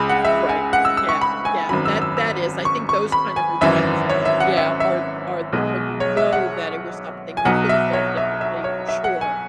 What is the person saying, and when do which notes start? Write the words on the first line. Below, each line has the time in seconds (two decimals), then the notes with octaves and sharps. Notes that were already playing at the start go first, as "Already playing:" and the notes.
Right, yeah, yeah. That that is I think those kind of regrets, yeah, are are when you know that it was something you could have done differently for sure.
Already playing: C#2 C#3 G#3 B5
0.09 F#5
0.25 E5
0.49 G#5
0.73 F#5
0.85 E6
0.97 E6
1.09 C#6
1.21 B5
1.45 G#5
1.69 G#1 F#2 F#3 B5
1.86 E6
2.02 E6
2.17 E6
2.65 C#6
2.89 C#6
3.12 B5
3.36 G#5
3.61 G#1 F#2 E3 E5
4.09 C#5
4.25 E5
4.40 F#5
4.57 E5
4.80 E5
5.53 B1 B2 G#3
6.00 C#5
6.17 E5
6.33 F#5
7.37 G#5
7.45 B1 B2 F#3 F#5
7.69 E5
7.93 C#5
8.17 E5
8.41 E5
8.64 C#5
8.89 E5
9.04 F#5
9.21 G#5